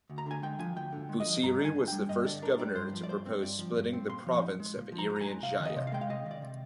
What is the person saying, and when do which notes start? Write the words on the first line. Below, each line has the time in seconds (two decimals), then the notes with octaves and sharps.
Busiri was the first governor to propose splitting the Province of Irian Jaya.
0.10 D2
0.18 A#5
0.26 D3 G#5
0.42 G#3 G5
0.59 F3 G#5
0.76 D2 G5
0.92 D3
1.09 G#3
1.20 D#5
1.26 F3
1.42 G2 A#5
1.60 D3
1.65 G#5
1.76 D4
1.88 G3 G5
2.09 G2 D#5
2.26 D3 D5
2.42 D4 A#4
2.59 G3 D5
2.75 G2 C5
2.93 F3
3.03 D5
3.09 G2 C5
3.26 C4
3.42 G2 D5
3.59 F3
3.76 G2
3.93 C4
4.09 A#2 C6
4.27 F3
4.42 D#4
4.60 G#3
4.76 A#2
4.92 F3
4.98 A#5
5.10 D#4
5.16 A#5
5.21 G#5
5.26 G#3
5.42 C3 F5
5.60 D#3
5.65 D#5
5.76 C3
5.87 F5
5.92 G#3 G5
6.01 F5
6.09 C3 D#5
6.26 D#3
6.31 D5
6.42 C3